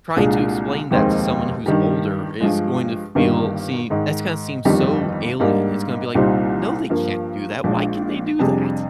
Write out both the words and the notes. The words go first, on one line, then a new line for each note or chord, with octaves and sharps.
Trying to explain that to someone who's older, is going to feel see, that's gonna seem so alien. It's gonna be like, "No, they can't do that. Why can they do that?"
C2 A#2 G#3 D4 G#4
F1 D#2 D#3 G#3 C4
G2 D#3 G3
G2 F3 G#3
G1 G2 D#3 G3 A#3
G#2 D#3 G#3
G1 F2 D#3 G3
G#2 G3 A#3 D4
C2 A#2 G3 C4 D#4
G2 F3 A#3
A#1 A#2 G#3 D4
F2 C3 G3 D4 G#4